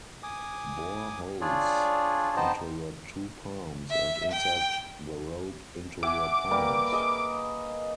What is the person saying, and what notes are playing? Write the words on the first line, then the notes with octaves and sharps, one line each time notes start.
Bore holes into your two palms and insert the rope into your palms.
G#5 D6 D#6
D4 F4 G#4 C#5 D5
B3 D#4 C5 D#5 G5 A5
E5
G5
E5 F#5 G#5 D6
G3 A#3 B4
G#4 D#5